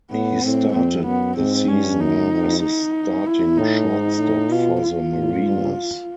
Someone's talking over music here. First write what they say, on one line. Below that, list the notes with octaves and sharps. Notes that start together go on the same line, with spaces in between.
He started the season as the starting shortstop for the Mariners.
A2 B3
A2 C4
F2 C4
F#2 B3
G#2 C4
G2 C#4
F#2 D#4
F2
D#4
E4
A2 D#4
G#2
A2
B2 F4
F4
A2
G2